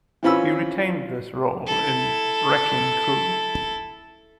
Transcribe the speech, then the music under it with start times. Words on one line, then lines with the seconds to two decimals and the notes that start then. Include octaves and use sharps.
He retained this role in "Wrecking Crew".
0.23 E3 C4 C#4 F4 B5 E6
1.66 E4 A4